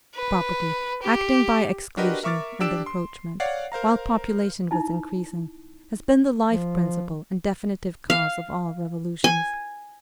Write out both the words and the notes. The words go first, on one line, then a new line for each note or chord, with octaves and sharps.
Property, acting by exclusion and encroachment, while population was increasing, has been the life-principle and definitive cause of all revolutions.
B4
G4
D4 F#4 G4 A#4 B4 D#5
A#4 E5 C#6 D6 F6 A6
D4 G4 E6 D7 E7
C6
C#5 D5 F5 F#5 C7
A#4 C5 F5 A#5
D#4 E4 A5
F3
F5
G#5